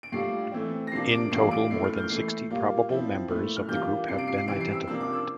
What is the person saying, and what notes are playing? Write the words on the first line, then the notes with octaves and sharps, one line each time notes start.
In total more than sixty probable members of the group have been identified.
D7
A2 G3 D4 F4 C7
E3 A3 C4
A#6
C3 F3 A#3 D4 C7
D7
A2 E3 G3 D4 F4 C7
D7
A#2 A3 E4 C7
F6
G6
E3 A3 E4 C7
A#2 G3 A#3 F4
F3 C4 E4
A#2 A3 E4
F6
E3 G3 A#3 D4 F4 G6
C3 G3 D4 F4 C7
D7
C7
C7
C3 E3 G3 C4 E4 D7
C7
E6
C3 F3 A#3 D4 E6
D6
E6